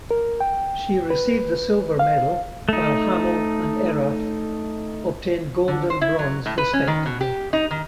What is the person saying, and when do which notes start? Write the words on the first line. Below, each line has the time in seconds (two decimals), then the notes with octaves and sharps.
She received the silver medal, while Hamill and Errath obtained gold and bronze respectively.
0.11 A#4
0.40 G5
1.10 B4
1.99 F5
2.69 A3 D#4
5.68 D3
5.90 C5
6.01 E4
6.19 F#3
6.46 A2
6.58 B4
6.73 C#4
6.87 D#3
7.06 B2
7.21 G4
7.53 D#4
7.71 D#3